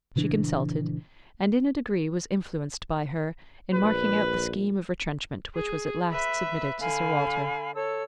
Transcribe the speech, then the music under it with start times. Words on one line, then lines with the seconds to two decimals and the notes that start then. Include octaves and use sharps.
She consulted, and in a degree was influenced by her in marking out the scheme of retrenchment which was at last submitted to Sir Walter.
0.16 A#2 C#3 E3 D4
3.75 A#1 B4
5.55 G#4
6.11 B4 E5
6.79 D3 F5 G#5 B5
7.74 A4 C#5 E6